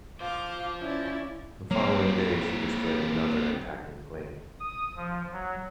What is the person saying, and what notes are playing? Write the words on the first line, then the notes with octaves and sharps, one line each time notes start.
The following day she destroyed another attacking plane.
F4 C5 F5 D6
C#4 E4 D5
F#3 A#3 C4
D#6
F3
F#3